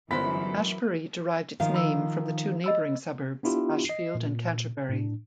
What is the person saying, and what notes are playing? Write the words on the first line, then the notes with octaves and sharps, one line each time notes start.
Ashbury derived its name from the two neighbouring suburbs Ashfield and Canterbury.
G1 F#2 E3 G#3 B3 A#4 C5 B5
D#3 F3 F5
B5 E6
D#5 B5 E6
B3 D4 E4 F4 G4
D#5 C7
A#2
A2 D4